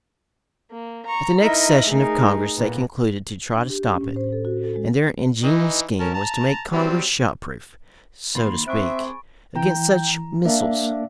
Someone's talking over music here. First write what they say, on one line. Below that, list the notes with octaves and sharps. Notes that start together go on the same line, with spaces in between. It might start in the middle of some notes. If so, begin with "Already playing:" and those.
At the next session of Congress they concluded to try to stop it, and their ingenious scheme was to make Congress shot-proof, so to speak, against such missiles.
A#3
A#5 C#6
D#4 E4 A#4 D#5 E5
A3 D#4 G#4 A#4
A#2 B3
D4
G4
C#4
A2
C5
A4
F#4
A4
G#3
E3 D#4
C#4 A#4 A5
A5 A#5
F#3 G3 C4
D#3 A#3 B5 C6 A6
C4 G#4 E5 C#6 D6 F#6 D7
E3 G5 A#5
A#3 D4 E5 F5